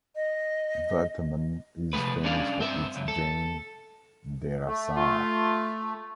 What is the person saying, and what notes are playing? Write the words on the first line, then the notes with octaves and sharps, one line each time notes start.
Vataman is famous for its Jain "derasar".
D#5
C3 F3 G#3 A3 B4
G3 C#4 D4 G#4 D5 F5
G2 C4 E5
C#2 F#2
A4
A3
F4